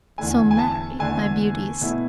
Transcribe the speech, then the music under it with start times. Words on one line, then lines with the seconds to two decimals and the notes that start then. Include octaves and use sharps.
So, marry, my beauties.
0.18 E2 D3 A3 G#5
0.51 G#5
0.59 A5
0.99 E2 D3 A3 G#5
1.81 B2 A3 E4